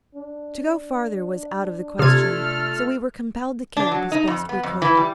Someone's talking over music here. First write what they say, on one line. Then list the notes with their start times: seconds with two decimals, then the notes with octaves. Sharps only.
To go farther was out of the question, so we were compelled to camp as best we could.
0.15 D4
1.99 C3 A3 F4 A4 F6 G#6
3.77 D4
3.91 F#3
4.12 D#4
4.27 F2
4.49 B3
4.63 F2
4.82 E3
4.97 G3